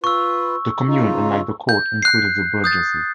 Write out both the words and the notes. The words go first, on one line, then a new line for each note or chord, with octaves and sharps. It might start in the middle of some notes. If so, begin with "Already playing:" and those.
The Commune, unlike the Court, included the burgesses.
F4 B4 C#6 E6
C#3 D#4 F4
G6
F#6 C7
D#6 G6 A6